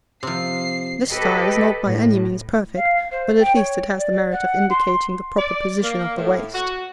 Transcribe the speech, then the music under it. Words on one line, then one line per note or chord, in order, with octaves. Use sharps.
This style is not by any means perfect, but at least it has the merit of indicating the proper position of the waist.
C3 F3 C7
G4 A4 B4 D#5
A2
F5
C5
G5
C#5
D5
F#5
C6
D5
A#3
A2
F#4